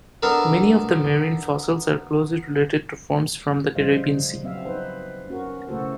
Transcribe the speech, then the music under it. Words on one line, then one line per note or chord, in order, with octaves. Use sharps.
Many of the marine fossils are closely related to forms from the Caribbean Sea.
B3 D4 A4 A#4
C#3 F3 G3 C5 D#5 F5
F#3 B3 C4 E5 F5
D#4 B4 C5
C#4 F#4 A#4
C#3 A3 E4 F#4 A4 C5